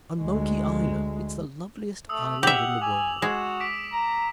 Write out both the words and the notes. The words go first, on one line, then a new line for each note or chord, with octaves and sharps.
"On Monkey Island; it's the loveliest island in the world."
D2 G#3
A3 D#6 E6
G4 E5 F#5 F7 F#7
G#5 D6
G#3 F#4 E7
D6 B6 D7
A#5